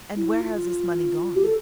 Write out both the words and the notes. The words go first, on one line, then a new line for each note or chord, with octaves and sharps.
"And where has this money gone?"
E4
F4
G4
A4